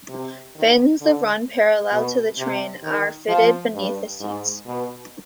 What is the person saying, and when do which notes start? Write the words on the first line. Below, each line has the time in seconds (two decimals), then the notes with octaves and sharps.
Fins that run parallel to the train are fitted beneath the seats.
0.09 C3
0.55 D#3
1.01 D3
1.92 B2
2.38 C3
2.83 D#3
3.28 F3
3.75 G2
4.20 G#2
4.66 B2